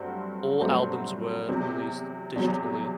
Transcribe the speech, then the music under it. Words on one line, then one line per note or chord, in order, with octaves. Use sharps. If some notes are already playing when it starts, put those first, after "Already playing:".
All albums were released digitally.
Already playing: G2 F#3 A3 C4 F#4
G2 F#3 A3 C4 F#4
E2 C3 F#3
E2 C3 F#3